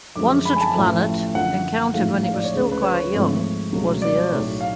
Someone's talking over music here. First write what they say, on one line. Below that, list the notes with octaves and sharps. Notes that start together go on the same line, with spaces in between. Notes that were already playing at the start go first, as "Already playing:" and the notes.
One such planet, encountered when it was still quite young, was the Earth.
F#2 D3 F3 G#3 D6
B5
G#5
A5
A1 A2 F3 A3
F#2 D3 F3 F#5
A1 G#2 F3 A3 F5
F5
D5
C#5
D2 C#3 G#3
B4
C#5
G#1 G#2 F3 A3
C#2 B2 F#3 A3
D5
C#5
B1 A2 F#3 A3
F5